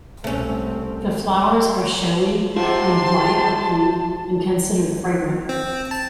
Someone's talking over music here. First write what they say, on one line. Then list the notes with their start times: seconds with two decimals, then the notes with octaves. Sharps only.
The flowers are showy and white or pink, and considered fragrant.
0.24 C2 A3 C4 C#4
2.56 G#2 C3 F4 A5 C6
5.49 C4
5.91 A5